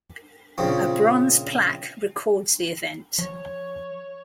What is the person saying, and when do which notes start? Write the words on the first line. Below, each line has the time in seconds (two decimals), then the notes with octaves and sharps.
A bronze plaque records the event.
0.58 A#1 C#3 C4
3.19 F3 C#5